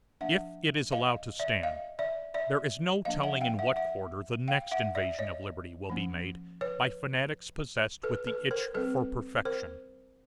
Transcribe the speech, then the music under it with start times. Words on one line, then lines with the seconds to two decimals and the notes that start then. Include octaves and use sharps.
If it is allowed to stand, there is no telling in what quarter the next invasion of liberty will be made by fanatics possessed with the itch for perfection.
0.21 F3 A#3 D4 E5 F#5
0.92 D#5 F5
1.39 D5 E5
1.63 D#5 F5
1.99 D5 E5
2.34 D5 E5
3.05 F3 A#3 D4 D#5 F5
3.23 E5 F#5
3.41 F5 G5
3.59 E5 F#5
3.77 E5 F#5
4.48 F5 G5
4.71 E5 F#5
4.95 D5 E5
5.19 C#5 D#5
5.90 F3 A#3 C#4
6.61 B4 C#5
8.03 A4 B4
8.27 A4 B4
8.51 A#4 C5
8.74 G3 C4 A4 B4
9.45 A#4 C5